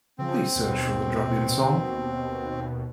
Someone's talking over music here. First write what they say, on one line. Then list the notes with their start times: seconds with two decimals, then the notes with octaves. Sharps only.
Please search for the Drop-In song.
0.18 C#3 F3 C4
0.55 D#2 B2